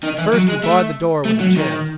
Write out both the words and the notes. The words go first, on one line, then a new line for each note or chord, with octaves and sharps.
But first he barred the door with a chair.
D#3
E3
F#3
G#3
A3
A3
F#3
D#3